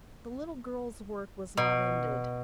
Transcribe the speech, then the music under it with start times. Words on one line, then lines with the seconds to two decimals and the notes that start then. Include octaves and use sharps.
The little girl's work was not ended.
1.57 B2